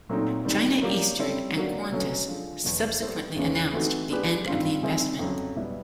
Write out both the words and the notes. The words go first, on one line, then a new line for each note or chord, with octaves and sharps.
China Eastern and Qantas subsequently announced the end of the investment.
A#2 F#3 A3 C4 D#4
D#3 G3 C4
F#3 A#3 D4 G4
G3 C4 E4 A4 C#5
D3 F#3 A#3 D4 F#4
B2 F#3 A3 C#4
D3 F3 G#3
E2 B2 F#3
G3 B3 E4 A4 C5
E2 C#3 E3 G#3 C#4
E3 A3 C4 D#4 F#4
G#3 B3 D4 G4 B4
G2 D#3 G3 C4 F4
D#3 G3 C4 E4 G#4
F2 C#3 F#3
B2 G3 B3 E4